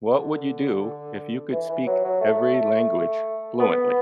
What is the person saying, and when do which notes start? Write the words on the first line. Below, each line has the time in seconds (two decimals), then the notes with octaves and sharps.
what would you do if you could speak every language fluently?
0.14 D3
1.52 E3
1.69 E3
1.86 F#3
2.04 F#3
2.21 A3
2.55 A3
3.59 B3